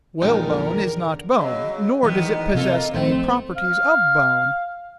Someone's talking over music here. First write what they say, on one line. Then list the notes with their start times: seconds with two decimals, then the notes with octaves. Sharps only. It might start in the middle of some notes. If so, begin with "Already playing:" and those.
Whalebone is not bone, nor does it possess any properties of bone.
0.22 A#1 E2 D3 G#3 D#4 G4 A#4
1.38 C#3 F#3 D#5
2.03 E2 D#3 E3 F#3 B3 D#5
2.54 C3 A#3 C4 F4 A4
2.94 A1 F3 A3 C4
3.57 F5